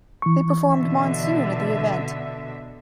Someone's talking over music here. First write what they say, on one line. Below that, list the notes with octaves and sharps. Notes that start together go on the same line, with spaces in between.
They performed "Monsoon" at the event.
E3 C#6
B2 D3 E5